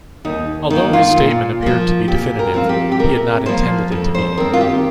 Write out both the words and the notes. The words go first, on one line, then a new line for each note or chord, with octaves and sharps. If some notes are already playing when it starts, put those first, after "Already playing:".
Although his statement appeared to be definitive, he had not intended it to be.
D#2 D#4
D#3 A#3 D#4
F4
A#2
F3 A#3
A#2 G4
A#4
F3 C4 F4
G4
G4
C3 A#4
F3 A#3 C5
F2
C5
D#3 C4 A#4
F4
G4